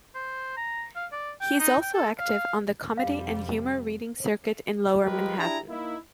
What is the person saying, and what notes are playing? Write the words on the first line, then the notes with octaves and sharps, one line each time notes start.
He is also active on the comedy and humor reading circuit in lower Manhattan.
C5
A#5
F5
D5
G5
D#4
G5
A4
F5
F2 C3 G3 F5
F3 G#3 G4 A#4 B4
D4 E4 G4 G#4 A#5
A#3 D#4 E4